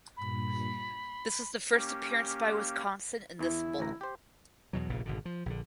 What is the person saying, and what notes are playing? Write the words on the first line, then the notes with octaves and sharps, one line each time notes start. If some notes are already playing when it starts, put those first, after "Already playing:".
This was the first appearance by Wisconsin in this bowl.
G2 A#2 B5
C6
A#3 C#4 G4
E2 E3 E4
A1 D2 A#5
G4 C5
E2 B2 F#3
F1 A#1 A#2 C#3
G#1 B2 D3
F3
A#1 D3